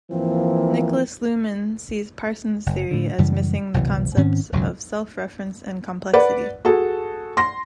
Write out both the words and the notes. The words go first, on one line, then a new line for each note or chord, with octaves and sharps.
Niklas Luhmann sees Parsons’ theory as missing the concepts of self-reference and complexity.
E3 F3 A#3 C4
F#1
A2 D3
F#2 C#3 E3 G3
F#1 C2 B2 E3
G#2 D#3 C4 C#4
E1 C#2 G#2 F#3
B4 D5 F#5
F#4 G#4 A4
C6 A#6